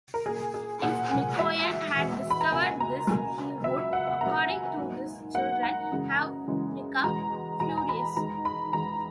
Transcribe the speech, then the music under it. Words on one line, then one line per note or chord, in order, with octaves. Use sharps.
If Mikoyan had discovered this he would, according to his children, have become furious.
A#4
A#2 A#3 G#4
G#4
A#2 A#3 F#5
G#5
E2 B2 G#3 E5
E2 B2 G#3
B5
A#5
C#2 B2 A#3 G#5
A#5
C#2 B2 A#3 G#5
C#2 B2 F#3 A#3 E5
F#5
F#5
C#2 B2 F#3 A#3 A#5
G#5
G#2 F#3 A#3
G#2 F#3 A#3 F#5
A#5
F#2 C#3 E3 G#3
F#2 C#3 E3 G#3
E2 B2 G#3 A#5
E2 B2 G#3 A#5
G#5
A#5
B5
E2 D#3 G#3 A#5
B5
E2 D#3 G#3 A#5